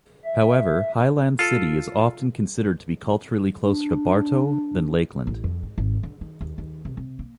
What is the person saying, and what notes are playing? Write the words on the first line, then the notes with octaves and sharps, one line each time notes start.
However, Highland City is often considered to be culturally closer to Bartow than Lakeland.
E5
F4 A4
D4
A1
F2
G#2
G#1
D3
D#3
D#2
D#2
C3
C3
A#3